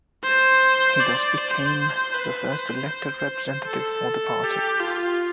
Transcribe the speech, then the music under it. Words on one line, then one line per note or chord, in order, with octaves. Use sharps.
He thus became the first elected representative for the party.
C5
D5
C5
B4
C5
C5
A4
G4
F4